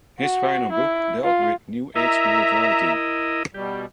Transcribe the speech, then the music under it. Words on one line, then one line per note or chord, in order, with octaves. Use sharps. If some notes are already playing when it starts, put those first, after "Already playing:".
His final book dealt with New Age spirituality.
F#4
E4
F4
E4 A#4 D#5 E5 A#5
B2 G3 G4